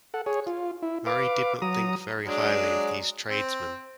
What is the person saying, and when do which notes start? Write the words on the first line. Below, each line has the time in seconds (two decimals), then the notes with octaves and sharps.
Murray did not think very highly of these tradesmen.
0.14 A4 F#5
0.26 G#4 C#5
0.47 F4
0.82 E4
1.07 B4 F5 D6
1.62 F#3 A#5 D#6
2.26 F#3 G#3 D4
3.29 C4